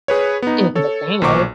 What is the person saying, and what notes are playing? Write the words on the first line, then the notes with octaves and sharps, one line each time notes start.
out and about.
G#4 B4 C#5
B3 D#4
A4 C#5
B1 A#2 C5 C#6 D6